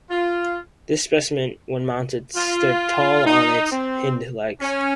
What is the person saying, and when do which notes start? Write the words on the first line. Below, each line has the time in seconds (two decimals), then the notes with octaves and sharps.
This specimen, when mounted, stood tall on its hindlegs.
0.11 F4
2.36 F4
3.26 D#4
3.72 C4
4.61 C#4